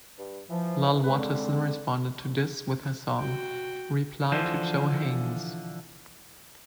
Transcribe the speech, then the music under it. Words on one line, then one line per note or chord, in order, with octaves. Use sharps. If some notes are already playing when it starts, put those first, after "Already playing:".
Lal Waterson responded to this with her song "Reply To Joe Haines".
G2
E3 F3
G#3 C4 B4
D3
F#4 G5
D3 E3 F3 C5